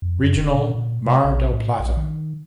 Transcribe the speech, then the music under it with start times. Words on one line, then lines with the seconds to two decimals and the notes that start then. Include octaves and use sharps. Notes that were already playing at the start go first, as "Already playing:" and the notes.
Regional Mar del Plata.
0.02 F2
0.23 F#2
0.36 E1
0.54 A#2
0.75 A#2
1.05 C3
1.24 A#1
1.53 A2
1.80 A#1
1.97 D#3